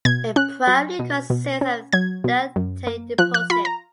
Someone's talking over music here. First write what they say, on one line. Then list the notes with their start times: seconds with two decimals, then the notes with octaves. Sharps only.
It primarily consists of deltaic deposits.
0.05 B2 G#6
0.36 C#4 F#6
0.67 F#3
0.99 B2
1.30 B2
1.61 C#4
1.93 F#3 G#6
2.24 B2
2.56 F#2
2.87 A#3
3.18 F3 F#6
3.34 F#6
3.50 F4 B5
3.65 A#5